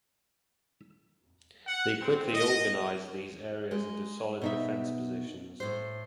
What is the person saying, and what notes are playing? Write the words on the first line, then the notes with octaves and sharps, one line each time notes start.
They quickly organized these areas into solid defense positions.
F#5
C4
D#5
G#3
B2 D#4 E5
A2 C5